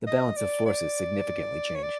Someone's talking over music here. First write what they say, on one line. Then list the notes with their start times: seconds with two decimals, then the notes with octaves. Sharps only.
The balance of forces significantly changed.
0.07 D#5
0.37 D5
0.66 D5
1.75 C#5
1.83 D5